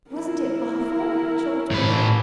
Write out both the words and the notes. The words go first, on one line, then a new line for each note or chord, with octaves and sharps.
"Wasn't it awful!" choked Billy.
E4 A#4
A2 B4